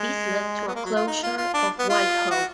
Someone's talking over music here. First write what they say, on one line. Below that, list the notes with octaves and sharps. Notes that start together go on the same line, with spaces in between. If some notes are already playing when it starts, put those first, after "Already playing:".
This led to a closure of Whitehall.
Already playing: G#3
B3
A#3
F#3
F4
D#4
F4
F4
D4
B3
F4
F#4